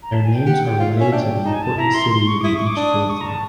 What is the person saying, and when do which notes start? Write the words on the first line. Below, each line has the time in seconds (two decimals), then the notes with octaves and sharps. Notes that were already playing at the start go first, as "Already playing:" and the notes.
Their names are related to the important city they each flow through.
0.03 A#5
0.13 A5
0.25 G#5
0.35 G5
0.46 G4 F#5
0.63 G5
0.79 F4 F5
0.96 C#4 E5
1.12 D4 G5
1.45 D#4 A5
1.53 G#5
1.62 A5
1.78 E4 A#5
1.94 C6
2.11 C6
2.27 C#6
2.40 D6
2.43 E4 D#6
2.56 C#6
2.66 D6
2.76 D4 D#6
3.09 C#6
3.21 A#5
3.26 A5